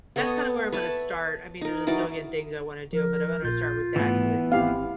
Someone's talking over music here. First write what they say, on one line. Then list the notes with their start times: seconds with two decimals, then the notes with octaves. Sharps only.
that's kinda where I'm gonna start, I mean, there's a zillion things I wanna do, but I'm gonna start with that 'cause it s
0.16 B3 A4 C#5 D#5
0.72 B4 C#5 E5 A5
1.61 D#4 A#4
1.87 E3 F#3 D#4 D5
2.93 F3 A#4
3.43 A#1 A#2 F4 G6
3.96 G#2 E3 A3 B3
4.52 G#1 C4 E4 G4 F5